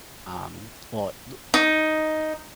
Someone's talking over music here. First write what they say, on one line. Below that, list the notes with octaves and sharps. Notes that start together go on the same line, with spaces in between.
Um, well, D
D#4